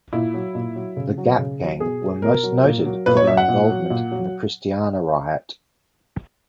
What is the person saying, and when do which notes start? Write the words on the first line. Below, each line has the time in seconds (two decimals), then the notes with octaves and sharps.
The Gap Gang were most noted for their involvement in the Christiana Riot.
0.13 A#2 E4
0.34 F#3
0.55 A#2
0.76 F#3
0.97 C#3
1.18 F#3
1.38 C#3
1.59 F#3
1.80 B2 G#4
2.02 F#3
2.22 B2 A#4
2.43 F#3
2.64 A#2
2.85 F#3
3.06 A#2 B4
3.17 C#5
3.27 F#3 E5
3.37 F#5
3.48 A#2
3.70 F#3
3.90 A#2
4.11 F#3